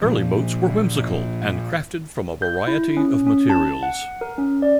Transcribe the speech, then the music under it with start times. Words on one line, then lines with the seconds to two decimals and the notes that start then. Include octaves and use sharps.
Early boats were whimsical and crafted from a variety of materials.
0.02 A#2 F3
2.42 G6
2.68 E4
2.97 C#4
3.27 C#4
3.50 A5
3.83 F#5
4.21 A#4
4.38 C#4
4.62 D5